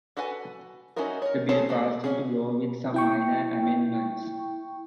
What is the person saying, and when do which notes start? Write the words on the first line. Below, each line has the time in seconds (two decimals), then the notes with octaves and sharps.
The Bill passed into law with some minor amendments.
0.17 F#4 A4 B4 F#5 G#5
0.96 C#4 D#4 E4 F#4 A#4
1.22 A#4 C#5
1.49 G#4 A4 C5 C#5 A5
1.69 A3 F#4
2.04 C#4 G#4
2.94 E4 G5 C#6